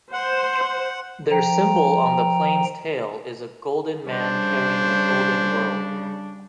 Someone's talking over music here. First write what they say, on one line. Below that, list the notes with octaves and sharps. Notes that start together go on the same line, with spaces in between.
Their symbol on the plane's tail is a golden man carrying a golden world.
C5 F#5
F3 G5 A#5
C#3 G3 D4 C5